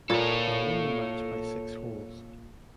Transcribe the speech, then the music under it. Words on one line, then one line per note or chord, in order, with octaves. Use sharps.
They won the match by six holes.
A#2 A4 C#5